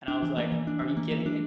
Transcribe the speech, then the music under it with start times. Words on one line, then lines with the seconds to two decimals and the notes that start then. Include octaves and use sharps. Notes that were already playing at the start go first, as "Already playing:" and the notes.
And I was like, "Are you kidding me?"
0.08 D4
0.23 E3
0.37 A#3
0.52 E3
0.67 D4
0.82 E3
0.97 A#3
1.11 E3
1.26 D4